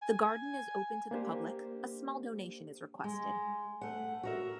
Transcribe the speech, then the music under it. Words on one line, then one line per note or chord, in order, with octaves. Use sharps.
The garden is open to the public, a small donation is requested.
G#5
A#3 D4 G4 C5
G#3
A3 F#5
F#4 A#4 E5